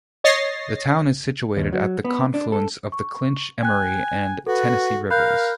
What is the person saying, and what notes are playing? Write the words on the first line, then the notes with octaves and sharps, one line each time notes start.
The town is situated at the confluence of the Clinch, Emory, and Tennessee rivers.
C#5 D#5 A6 A#6 C7
D#2
F#3
B3
D4
A4
C#6
G5 G#5 F#6
F#4 A4 B4
A#4 F5 B5 F#6 G6